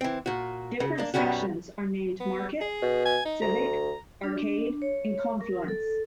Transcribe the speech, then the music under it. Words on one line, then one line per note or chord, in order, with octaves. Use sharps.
Different sections are named Market, Civic, Arcade, and Confluence.
E3 C4
A#2 F#4
C#3
A#3 D4
F#2 B2 G3 C#4 F#4
B3
G#4
B2
G#5
D#4
D2 A#5
D4
C#5
A#4
A4